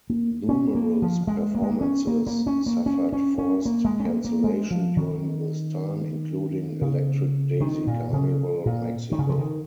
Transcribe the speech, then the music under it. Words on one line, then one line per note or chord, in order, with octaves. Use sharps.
Numerous performances suffered forced cancellation during this time, including Electric Daisy Carnival Mexico.
A#3
C#4
A#3
F3
G#3
A#3
G#3
A#3
C#4
A#3
A#3
C#4
A#3
C#4
C#4
C#4
A#3
G#3
C#4
A#3
A#3
G#3
F3
D#3
C#3
D#3
A#2
C#3
A#2
D#3
C#3
F3
D#3